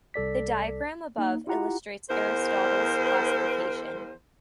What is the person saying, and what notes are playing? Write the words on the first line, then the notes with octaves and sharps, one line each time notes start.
The diagram above illustrates Aristotle's classification.
C2 A4 D5 B6
A#3 D#4
E4 F4 G4 F#5 A#5
E2 A#4 C5